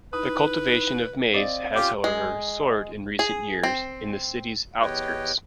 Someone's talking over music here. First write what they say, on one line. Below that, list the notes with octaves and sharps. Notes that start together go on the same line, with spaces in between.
The cultivation of maize has however soared in recent years in the city's outskirts.
D#4 E4 B4 B5 D#6
C4 D5 D#5 F5
C#4 F4 G4 D6
G#3
G#4
C4
E2 G4 B4 C#5 D#5 G5